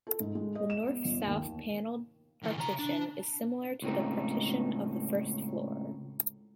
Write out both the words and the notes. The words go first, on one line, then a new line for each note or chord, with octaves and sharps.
The north-south paneled partition is similar to the partition of the first floor.
A4
G#2
G#3
D#5
E7
B3
G1
D#2
D2 E3
C#3 A#5
D4
C#2 A2 C4 D#4